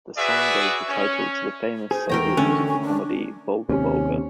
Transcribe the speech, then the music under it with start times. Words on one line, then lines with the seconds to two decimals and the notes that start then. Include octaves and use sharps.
The song gave the title to the famous Soviet musical comedy "Volga-Volga".
0.17 F#4 G#4 B4 D5 E5
0.88 C#4 C#5
1.91 G#4 C5
2.09 E2 B2 A3 A#4 G5 A#5 C#6
2.37 D3 A3 C#4
2.67 G#5
2.82 D4
3.69 D#2 C3 C#4